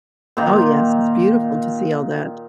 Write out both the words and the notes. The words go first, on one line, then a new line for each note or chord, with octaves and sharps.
Oh yes, it's beautiful to see all that.
A#2 D#3